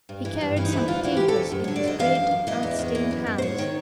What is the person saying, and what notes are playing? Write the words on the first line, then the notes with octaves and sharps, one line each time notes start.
He carried some potatoes in his great earth-stained hands.
G2
E3
G2
E3 C#4
D#4
D2 E4
D2 F4
E3 F#4
G4
D2
A4
D2
F#2
C#5
D3
D5
F#2 D#5
E3 F5
F#2
F#2
E3 D#5
E2
D#5
E2
E3
F#2
F#2
C5
G#2 C#5
D#3